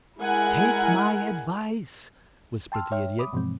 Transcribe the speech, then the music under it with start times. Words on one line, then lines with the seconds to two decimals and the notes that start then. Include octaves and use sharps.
"Take my advice," whispered the Idiot.
0.19 G#3 E4 A#4 F#5 G#5
2.72 G5 A5 C6 E6 F6
2.92 C#5 E5 G5 F6
3.19 B5 D6 D#6
3.33 G2 B2 E3 F3 G#3 C4